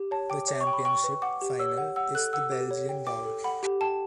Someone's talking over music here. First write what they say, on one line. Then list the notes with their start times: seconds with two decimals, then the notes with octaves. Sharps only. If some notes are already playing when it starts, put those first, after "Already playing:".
The championship final is the Belgian Bowl.
Already playing: G4
0.11 C#5 A5
0.30 G5 D6
0.48 C#5 D6
0.61 C#6
0.67 G5
0.73 B5
0.85 G5 C#6
1.04 B4
1.22 F#5 D6
1.42 G4
1.59 C#5 E6
1.78 F#5
1.96 F#5 E6
2.15 A4 F#6
2.33 F#5 E6
2.52 G4
2.71 C#5
2.89 G5
3.07 G5 D6
3.25 A4
3.44 F#5 B5
3.63 G4
3.81 G5 A5